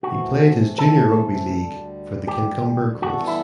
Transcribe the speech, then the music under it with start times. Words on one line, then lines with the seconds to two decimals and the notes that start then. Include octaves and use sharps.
He played his junior rugby league for the Kincumber Colts.
0.03 C3 E3 A3 C4 F#4
0.78 A4
1.53 D2 D3 G3
2.27 G4
3.02 G2 E3 B3 D4 F#4 A4
3.27 E4